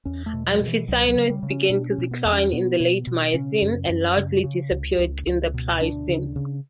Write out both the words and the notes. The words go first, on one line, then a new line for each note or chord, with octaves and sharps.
Amphicyonids began to decline in the late Miocene, and largely disappeared in the Pliocene.
E2 C#4
A3
B2
F#3
B2
E3
C#2 F#3
F#3
C#3
G3
C#3
C#4
B2 D4
C#4
B2
B3
E2
C#4
B2 B3
B2
B2
C#3 C#4
F#2
F#2
C#3
C#3
C#2
C#2
C#2
B2
D2 D4
C#3
C#3